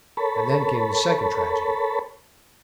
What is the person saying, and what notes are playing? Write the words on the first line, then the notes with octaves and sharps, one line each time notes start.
And then came the second tragedy.
A4 A#4 C#5 A5 B5